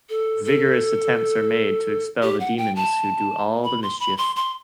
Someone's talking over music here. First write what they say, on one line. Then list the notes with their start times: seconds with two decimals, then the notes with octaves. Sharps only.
Vigorous attempts are made to expel the demons who do all the mischief.
0.09 A4
0.45 A4
2.23 G4
2.40 F#5
2.58 G5
2.76 A5
3.64 B5
3.82 C6
4.00 B5
4.18 C6
4.36 C6